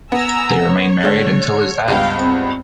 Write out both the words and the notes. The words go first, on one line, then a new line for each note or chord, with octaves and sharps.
They remained married until his death.
B3 G#5 A#5 E6
C#5
D3 G#3 A6
C#2 G2 B3 F5 G5
C4